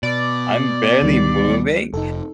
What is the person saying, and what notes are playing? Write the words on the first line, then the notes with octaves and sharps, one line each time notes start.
I'm barely moving,
B2 D5
D2 D#3 G3
F1 D#4 A4